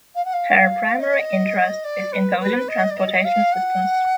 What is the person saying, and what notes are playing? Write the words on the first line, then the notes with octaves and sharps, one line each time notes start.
Her primary interest is intelligent transportation systems.
F5
F#5
F5
D#5
D5
B4
B4
D#5
D5
D#5
F5
F#5